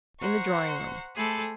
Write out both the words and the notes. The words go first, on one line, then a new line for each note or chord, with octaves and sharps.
In the drawing-room.
C5 F#5 A#5 C#6
A3 G#4 A4 C5 B5 D6